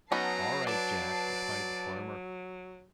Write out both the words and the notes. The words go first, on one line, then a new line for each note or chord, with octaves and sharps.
"All right, Jack," replied the farmer.
F#3 B3 C#4 D#4 B4 A5 A#5 C7
D4 D5